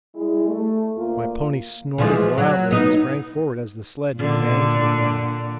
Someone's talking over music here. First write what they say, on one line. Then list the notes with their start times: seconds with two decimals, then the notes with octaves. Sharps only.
My pony snorted wildly and sprang forward as the sledge banged to the ground.
0.15 G3 G#3 E4
0.47 A3
0.96 D2 A#3 F4
1.98 E3 F3 G#3
2.38 F#3
2.71 B3 D#4
4.16 A#2 D3